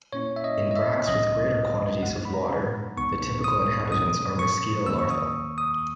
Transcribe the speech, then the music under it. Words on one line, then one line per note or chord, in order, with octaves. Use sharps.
In bracts with greater quantities of water the typical inhabitants are mosquito larva.
A#2 A#3 C#4 E4 C#5
E5
D#5
D#5
E5
C#2 C#3 F#3 C#4 D#5
B2 G#3 B3 D#4 F#5
B5
A#5
C#2 B2 G#3 B3 D#4 C#6
D#6
B2 F#3 C#4 D#6
C#6
D#2 D#3 A#3 E6
C#6
D#6
D#6